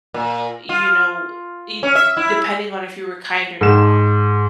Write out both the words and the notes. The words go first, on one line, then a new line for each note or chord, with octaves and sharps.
you know, it depending on if you were kind or not,
A#2
F4
C#4
E5
E4
G#2 E7